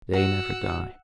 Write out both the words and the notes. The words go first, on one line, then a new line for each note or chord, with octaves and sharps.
They never die.
F#4 F#5 E6